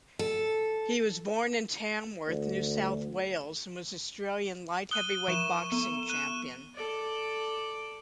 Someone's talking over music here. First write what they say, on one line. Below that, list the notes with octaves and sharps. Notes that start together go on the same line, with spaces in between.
He was born in Tamworth, New South Wales and was Australian Light-Heavyweight Boxing Champion.
A4
D2
D#6 F#6 D#7 G7
F3 C#6 E7
B3
F#6 D#7 E7
A4 D5